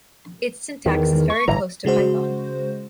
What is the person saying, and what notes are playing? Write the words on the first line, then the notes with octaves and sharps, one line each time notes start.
Its syntax is very close to Python.
E2 D#3
C#6
G1 A2 E3 A#5
C#3 G#3 F#4 C5